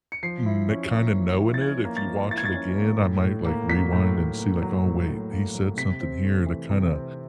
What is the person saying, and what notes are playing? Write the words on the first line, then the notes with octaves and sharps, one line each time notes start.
mm, kinda, knowing it. If you watch it again, I might, like, rewind and see, like, oh, wait, he said something here to kinda
C#7
F3 C7
E4
C#4
A#3
F3
E4
A6
C#4 G#6
A#3
A6
F3
E4 A6
G#6
A6
C#4
A#3
A2
A2
A#3
F#3 B6
A2
A2
A#3
F#3
A2
A2
A#3
F#3
C3 B6
C4
A3
E3
C3
C4